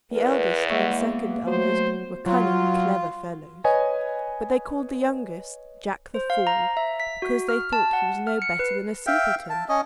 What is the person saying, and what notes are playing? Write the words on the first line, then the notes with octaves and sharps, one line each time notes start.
The eldest and second eldest were cunning clever fellows, but they called the youngest Jack the Fool, because they thought he was no better than a simpleton.
E2 A#4 B4
G#3 A#3 E5 F#5 C#6
B3
F#3 A3 B3 F#4 C5
F#3 F4
B4 C#5 D#5 G#5
C5
F5
A#5
E5
B6
F#4
F6
A5
F#5
F6
C#7
B4
E5 F5 G5
A5
C#4 D#5